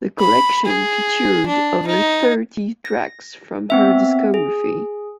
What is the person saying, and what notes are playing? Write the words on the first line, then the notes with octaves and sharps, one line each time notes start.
The collection featured over thirty tracks from her discography.
B5
G#4
D4
D#4
A#6
B3 C4 E5
G#4